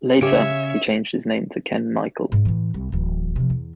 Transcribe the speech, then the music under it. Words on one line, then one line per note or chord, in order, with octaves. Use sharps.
Later, he changed his name to Kenn Michael.
C#3 G4 C#5 E5 D7
G#2 A#3
A2 E3
C2
D1 E3
C3 F3
E2